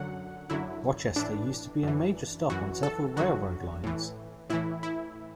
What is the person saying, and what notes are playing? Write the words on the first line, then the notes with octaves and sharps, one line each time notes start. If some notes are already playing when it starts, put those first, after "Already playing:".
Rochester used to be a major stop on several railroad lines.
Already playing: F#2 D3 F#3 F#5
F#2 D3 F#3 E4
A2 E3 D4
F#2 E3
F#2 E3 F#4
A4
F#2 D3 F#3 F#4
A2 E3
A2 E3 E4
E4